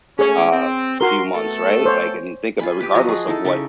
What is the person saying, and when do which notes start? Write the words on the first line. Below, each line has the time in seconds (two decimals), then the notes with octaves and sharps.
uh, few months, right? Like, and you think of regardless of what
0.19 A3 C#4 G#4 C#5
0.51 C4
1.01 F#4 A#4 C6
1.35 A3 B3 A4
1.85 C5 C#5
2.60 F4 G#5 B5
2.80 G4 B4
2.95 F3 F#3 F#4 D#5
3.09 G#4
3.27 D#4 E4 A4
3.45 C#3 A4 C#6